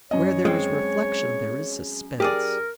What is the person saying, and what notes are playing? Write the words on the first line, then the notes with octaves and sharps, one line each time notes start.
Where there is reflection there is suspense.
F#2 C#5 D#5
G#3 C4
G4 G#4 A#4 D5